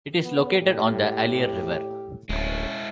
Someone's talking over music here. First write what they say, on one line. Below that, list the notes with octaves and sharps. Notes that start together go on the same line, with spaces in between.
It is located on the Allier River.
B3
A2 G4
D1 G#3 C#4 E4